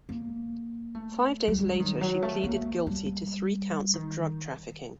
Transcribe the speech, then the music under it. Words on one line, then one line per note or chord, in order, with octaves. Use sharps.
Five days later she pleaded guilty to three counts of drug-trafficking.
A#3
A3
G3
G3
F#3
D#3
F#3
A3
A#3
G3
D#3